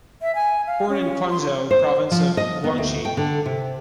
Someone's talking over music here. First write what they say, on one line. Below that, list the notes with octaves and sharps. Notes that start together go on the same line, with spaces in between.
Born in Quanzhou, province of Guangxi.
E5
G#5
F5
C#4
C6
C5
F3
D#5
B3
D2
G5
D3
C3